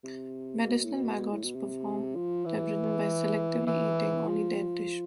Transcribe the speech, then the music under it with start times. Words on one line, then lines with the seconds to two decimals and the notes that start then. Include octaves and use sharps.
Medicinal maggots perform debridement by selectively eating only dead tissue.
0.04 C3
0.64 B2
0.84 A2
0.94 B2
1.32 A2
1.44 B2
1.54 C3
2.15 F3
2.46 E3
3.67 E3
4.27 F3